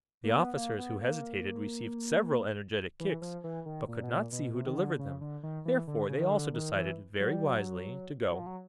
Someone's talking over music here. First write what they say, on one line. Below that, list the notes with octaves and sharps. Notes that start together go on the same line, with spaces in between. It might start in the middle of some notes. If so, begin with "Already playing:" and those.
The officers who hesitated received several energetic kicks, but could not see who delivered them; therefore they also decided--very wisely--to go.
A#3
B3
A#3
B3
A#3
E3
F3
E3
D#3
A#2
B2
A#2
B2
C3
D#3
D3
C#3
D3
D#3
E3
D3
C#3
D#3
D3
D#3
E3
F#3
G3
F#3
F#3
F3
F#3